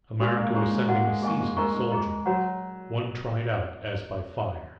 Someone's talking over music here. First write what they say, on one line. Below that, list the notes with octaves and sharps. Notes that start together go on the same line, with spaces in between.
America was sending a seasoned soldier, one tried out as by fire.
G#3 F#4 D#5 G#5 C#6
A#3
G#3 G#4 C#5 A#5 C#6
G#3
A#3 F#4 D#5 F#5
G#3
A#3 G#4 D#5 G#5 C#6
G#3
G#3 A#4 D#5 A#5 C#6
G#3
G#4 D#5 A#5
F#3 F#4 C#5 F#5 A#5